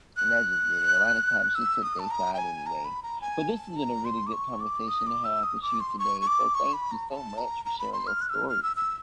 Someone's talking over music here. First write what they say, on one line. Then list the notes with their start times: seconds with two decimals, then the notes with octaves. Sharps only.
and I just didn't. A lotta times, she took they side anyway, but this has been a really good conversation to have with you today, so thank you so much for sharing your stories.
0.17 F#6
1.55 E6
1.83 D#6
1.99 A5
2.10 A#5
2.34 G5
2.38 G#5
2.66 A#5
2.85 B5
3.03 A#5
3.21 G#5
3.49 A5
3.77 A#5
4.05 C6
4.27 D6
4.33 C#6
4.60 D6
4.88 D#6
5.07 D6
5.24 E6
5.43 D#6
5.62 D6
5.80 C6
5.99 C#6
6.21 C#6
6.27 D6
6.55 C#6
6.73 B5
6.91 A#5
7.10 A5
7.38 A#5
7.65 A#5
7.79 B5
7.93 C6
8.07 F6
8.21 F#6
8.30 E6
8.35 F6
8.49 F6
8.63 E6
8.76 E6